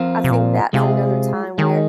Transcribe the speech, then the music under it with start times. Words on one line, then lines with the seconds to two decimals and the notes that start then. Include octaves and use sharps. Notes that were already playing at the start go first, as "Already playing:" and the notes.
I think that's another time where
Already playing: F3 C4 F4 A#4
0.24 C3
0.31 A#2
0.73 C3 G#3 F4 G#4
1.58 D#3 G#3 D#4 G#4